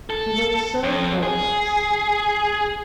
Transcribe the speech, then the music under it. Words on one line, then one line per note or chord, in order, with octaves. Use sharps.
He looked so hopeless.
A4
F2
G#4